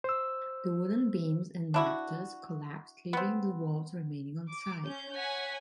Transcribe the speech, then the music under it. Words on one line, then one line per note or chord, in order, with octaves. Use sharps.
The wooden beams and rafters collapsed, leaving the walls remaining on site.
C5 E6
D4 E4 F#4
B3 C4
D6
C#4 G6
C#5 F#5 G#5 B6